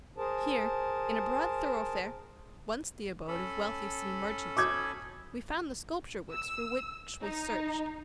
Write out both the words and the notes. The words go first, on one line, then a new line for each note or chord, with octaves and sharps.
Here, in a broad thoroughfare, once the abode of wealthy City merchants, we found the sculpture works for which we searched.
G#4 A#4 C5 A5
C#4 A4 B5
D6 D#6 G#6
E6
D#4